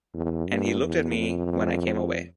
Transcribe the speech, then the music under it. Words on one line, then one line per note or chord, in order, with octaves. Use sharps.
And he looked at me when I came away!
E2
G2
E2
F2